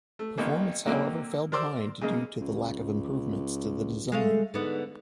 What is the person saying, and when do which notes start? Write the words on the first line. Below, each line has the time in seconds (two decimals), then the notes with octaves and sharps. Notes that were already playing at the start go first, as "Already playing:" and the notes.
Performance, however, fell behind due to the lack of improvements to the design.
0.19 A3
0.38 A1 D#3 A#3 B3
0.85 A#2 D3 F#3 A#3 C4 D#4
1.52 A#4 C5 D5 C6 D6 E6
2.01 C#3 G#3 A#3 D#4
2.39 C#2
4.12 G#3 A3 F5
4.54 G#2 D3 B3